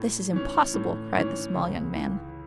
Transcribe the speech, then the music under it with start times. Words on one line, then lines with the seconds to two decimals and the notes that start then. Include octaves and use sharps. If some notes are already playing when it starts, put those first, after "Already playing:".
"This is impossible!" cried the small young man.
Already playing: A2
0.33 E3 C#4
0.74 A2
1.14 E3 C#4
1.54 C#2
1.96 E3